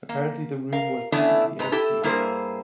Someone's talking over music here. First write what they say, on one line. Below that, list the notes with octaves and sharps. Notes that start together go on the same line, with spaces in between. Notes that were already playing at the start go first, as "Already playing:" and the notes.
Apparently the room was perfectly empty.
A#3
A#4 F5
E3 A3 B3 C#4 D4 E4
G#2 B4 A#5
E4 G4 A4
G2 A#3 E4 G#4 A#4 C5